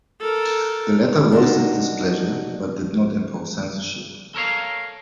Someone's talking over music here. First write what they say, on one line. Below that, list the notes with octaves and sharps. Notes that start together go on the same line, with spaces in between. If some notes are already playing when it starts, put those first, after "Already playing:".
The latter voiced its displeasure, but did not impose censorship.
A4 A#4
D4 D#4 F#4
A4 A#4 C#5 F5